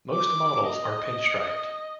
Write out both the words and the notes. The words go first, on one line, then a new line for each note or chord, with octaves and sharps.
Most models are pinstriped.
D6
D#5